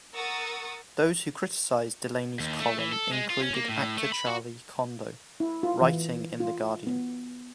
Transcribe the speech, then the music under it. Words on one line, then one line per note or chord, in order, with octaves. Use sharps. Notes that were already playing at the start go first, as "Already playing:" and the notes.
Those who criticized Delaney's column included actor Charlie Condou writing in The Guardian.
A#4 F#5 C#6 D#6 E6 A6
D#2
A3
E3
A4
G#3
F4
C#4
A#3
A2
A3
B5
F#4
E4
F4
E3
F4
B3